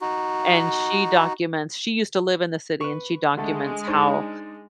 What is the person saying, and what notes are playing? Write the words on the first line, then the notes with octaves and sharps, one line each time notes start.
and she documents she used to live in the city and she documents how,
D#4 F#4
B4 C#6
D3 G#3 A3 A4
D4 D#4 C5